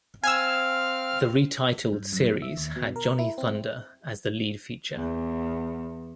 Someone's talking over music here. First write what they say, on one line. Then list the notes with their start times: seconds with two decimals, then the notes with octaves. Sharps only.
The retitled series had Johnny Thunder as the lead feature.
0.24 C4 F5 G#5 E6 F6
1.93 G2
2.13 F#2
2.29 B2
2.42 E5
2.57 D#2
2.76 B2
2.96 A#4
3.19 E4
3.38 C4
4.95 E2